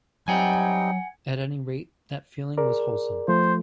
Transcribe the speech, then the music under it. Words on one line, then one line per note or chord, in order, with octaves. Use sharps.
At any rate that feeling was wholesome.
F#3 G3 C4 D#4 F#5 G#5
G#4 A#4 D5
F3 A3 C5